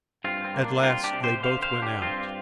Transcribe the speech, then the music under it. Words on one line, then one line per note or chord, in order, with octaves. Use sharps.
At last they both went out.
G2 C4 F4
C4
A#3
D4
G3 C4 F4
D4 G4
C3
G4 C5
D3 C5 F5
C5 F5
D3
D4 G4
G2 C4 F4